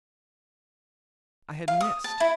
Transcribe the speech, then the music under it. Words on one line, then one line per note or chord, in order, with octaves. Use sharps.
I had missed!
F5
D#6
A5
E4